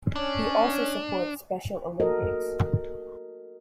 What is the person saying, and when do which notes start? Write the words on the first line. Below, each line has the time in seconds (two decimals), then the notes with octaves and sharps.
He also supports Special Olympics.
0.16 C#4 D4
2.00 F#4 A4 A#4 D#5